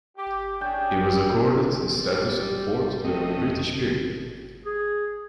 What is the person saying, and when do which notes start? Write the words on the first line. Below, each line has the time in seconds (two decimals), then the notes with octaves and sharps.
It was accorded the status of a fort during the British period.
0.17 G4
0.61 C#4 D4 G#4 G5
1.89 G3
3.04 F2 A3 C4 D#5
4.66 G#4